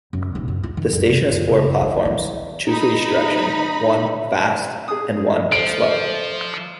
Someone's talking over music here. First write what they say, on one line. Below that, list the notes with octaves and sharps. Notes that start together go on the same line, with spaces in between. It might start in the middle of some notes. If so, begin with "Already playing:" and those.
The station has four platforms, two for each direction: one "fast" and one "slow".
F#2
D#1
F#2
F4
E3
F#2
C3
F#2
F#1
E3
E3
D#4 B5
G#4 D#6
F3 A4 C5 D7